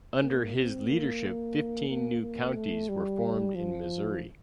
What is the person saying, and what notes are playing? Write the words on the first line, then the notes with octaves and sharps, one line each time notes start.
Under his leadership fifteen new counties were formed in Missouri.
A#3
C4
A#3
A#3
A#3
A3
G3
F3